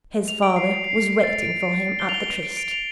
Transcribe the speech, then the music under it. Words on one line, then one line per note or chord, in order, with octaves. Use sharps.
His father was waiting for him at the tryst.
F7
D7
C7
C7
C7
A6
D7
G7
F7
G7
F7
D7
D7
F7